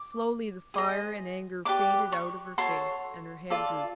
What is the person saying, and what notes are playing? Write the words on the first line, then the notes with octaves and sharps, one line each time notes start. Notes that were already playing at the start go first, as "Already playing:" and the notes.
Slowly the fire and anger faded out of her face and her head drooped.
Already playing: D6
G#4 C5 D#5
G4 B4 D5 D6
C#6
F#4 A4 C#5 C6
F4 A4 D5